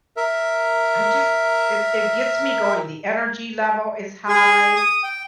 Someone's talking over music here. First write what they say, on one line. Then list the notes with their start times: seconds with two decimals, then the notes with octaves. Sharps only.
I just it it gets me going, the energy level is high,
0.17 A#4 E5
4.29 G#4
4.76 D#6
5.04 G5